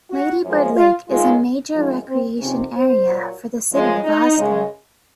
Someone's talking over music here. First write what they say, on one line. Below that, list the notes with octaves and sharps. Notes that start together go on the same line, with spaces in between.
Lady Bird Lake is a major recreation area for the City of Austin.
F#4
F#2 F3 G#3
F4
F#2 D#3 G#3 F4
F#2 F3 G#3 D#4
C4
F2 C3 D#3 C#4
C5
A#2 F#3
F#2 F3 G#3
D#4
F#2 C#3 G#3